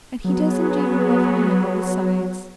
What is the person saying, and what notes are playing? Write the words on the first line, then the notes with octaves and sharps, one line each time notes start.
"And he doesn't even love me now, besides."
F#3 B3 G#4